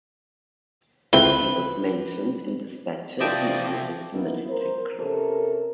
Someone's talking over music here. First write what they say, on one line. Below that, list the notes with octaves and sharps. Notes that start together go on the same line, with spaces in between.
He was mentioned in despatches and awarded the Military Cross.
C#2 C4 E4 B4 G7
C3 F3 E4 D5 D#5 G5 A5
A#3 B3 D#4 E4
A#4 C5
C3 C#4 A4 A#4